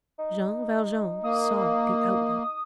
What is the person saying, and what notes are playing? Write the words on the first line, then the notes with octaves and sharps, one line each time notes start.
Jean Valjean saw the outlet.
D#4
A#3 D#6